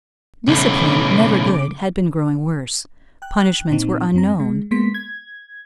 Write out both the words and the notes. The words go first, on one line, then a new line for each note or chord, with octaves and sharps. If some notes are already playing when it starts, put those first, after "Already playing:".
Discipline, never good, had been growing worse. Punishments were unknown.
B1 A2 C#3 D6
G5 F#6
A#2 C4 D#4
F#2 C4 A#5
G#3
G#3 A#3 B3 C6 B6
G#6